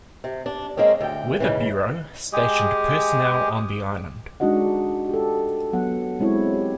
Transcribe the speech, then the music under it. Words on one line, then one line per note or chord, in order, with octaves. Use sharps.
Weather Bureau stationed personnel on the island.
C3
D4
G#3 A#3 C4 C#4
D2 G5
G#2 C#3 E3
G#3 G4 G#4
G#3 D4 D#4 F#4 D#5 F#5
G4 A4
F#3 B3 F#5
G#3 C4 C#4 E4 C#5
G4